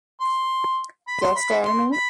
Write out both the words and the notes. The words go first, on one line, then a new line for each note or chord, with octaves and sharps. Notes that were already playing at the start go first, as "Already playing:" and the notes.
Just tell me.
C6
B5
C6
B5
C6
B5